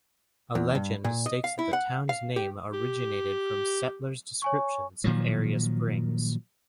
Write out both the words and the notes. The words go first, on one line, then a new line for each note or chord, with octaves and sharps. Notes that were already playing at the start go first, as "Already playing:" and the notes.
A legend states that the town's name originated from settler's descriptions of area springs.
E2
G2
A#2
D#5
F5
E4
F#5
F5
G4
G4
C#5 G#5 C#6
A#2 D#3 F3 F#3